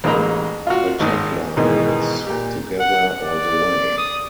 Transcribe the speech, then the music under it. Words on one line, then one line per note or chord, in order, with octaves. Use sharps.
Their tag line is 'Together, all the way.
A1 G#3 A#3 D#4 A#5 B5
F4 F#4
G#1 G#2
G#2 B2 D#3 E3 G#3
A#2 G4
F#5
D5
D#6